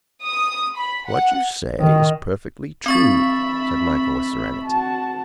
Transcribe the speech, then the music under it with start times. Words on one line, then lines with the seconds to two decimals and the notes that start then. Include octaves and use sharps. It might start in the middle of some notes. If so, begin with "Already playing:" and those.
"What you say is perfectly true," said Michael, with serenity.
0.24 D#6
0.76 B5
1.07 F#5
1.79 D#3
2.86 C4 E5 B5 C#6 A6
4.65 F#4 A5